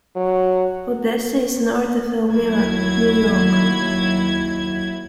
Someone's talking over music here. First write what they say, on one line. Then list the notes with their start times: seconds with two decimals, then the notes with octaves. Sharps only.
Odessa is north of Elmira, New York.
0.16 F#3
2.34 D#2 F#3 E4 G#6